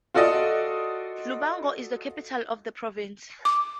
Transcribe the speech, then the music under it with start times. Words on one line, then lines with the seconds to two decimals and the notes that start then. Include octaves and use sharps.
Lubango is the capital of the province.
0.14 F4 F#4 A4 D5 D#5
3.45 D6